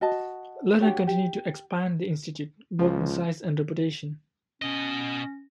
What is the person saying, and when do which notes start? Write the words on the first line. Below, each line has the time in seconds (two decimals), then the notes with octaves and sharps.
Lerner continued to expand the institute, both in size and reputation.
0.01 F#4 D#5 A5
0.81 D4 F#4 G4 C#5
1.07 G4
2.79 C#2 F3
4.62 B2 C#4 D#5